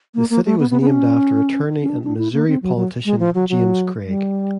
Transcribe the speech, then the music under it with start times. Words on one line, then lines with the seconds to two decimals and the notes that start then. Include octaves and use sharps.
The city was named after the attorney and Missouri politician James Craig.
0.15 A#3
0.30 A#3
0.45 A3
0.59 B3
0.70 B3
0.81 B3
0.87 D4
0.92 C#4
1.82 C#4
1.89 D4
2.04 D4
2.18 E4
2.33 A#3
2.48 C4
2.62 F#3
2.76 F#3
3.05 G#3
3.19 F3
3.35 F#3
3.49 F#3
4.07 G3